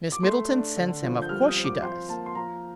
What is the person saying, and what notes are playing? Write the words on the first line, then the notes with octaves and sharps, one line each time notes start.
"Miss Middleton sends him; of course she does."
D6
A3 C6
D4
D3
F3
G6
G3 F6
D#6
C4
D6
F3 C6
A#3 A5
C6
F3 A#5